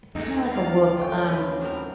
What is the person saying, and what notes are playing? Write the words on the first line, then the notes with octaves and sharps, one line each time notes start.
It's kinda like a Whoop. Um,
D#2 G#3 A3 D#4
D5 F5
C#3 A3 F4 A4 G5
C#3 F3 C4 D4 F#4 B4
A2 F#3 A#4 C5